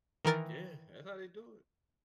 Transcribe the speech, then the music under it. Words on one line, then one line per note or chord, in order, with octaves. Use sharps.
Yeah, that how they do it.
D#3 E3 A#4 A6